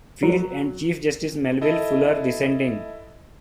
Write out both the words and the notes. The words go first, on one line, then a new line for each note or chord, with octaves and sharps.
Field, and Chief Justice Melville Fuller dissenting.
F#3
E4 A4 D#5